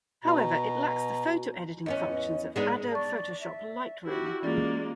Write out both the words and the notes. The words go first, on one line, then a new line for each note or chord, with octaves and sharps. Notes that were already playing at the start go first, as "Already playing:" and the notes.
However, it lacks the photo editing functions of Adobe Photoshop Lightroom.
B2 A#5
E2 B3 C#4 D#5
G#3 B3 D#4 D5
D5 A5 C#6
E5
E4 F#4 G4
E3 G#3 A#3 C#4 F4 D5